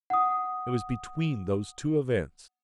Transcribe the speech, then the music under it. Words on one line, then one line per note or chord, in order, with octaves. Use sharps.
It was between those two events.
F#5 D#6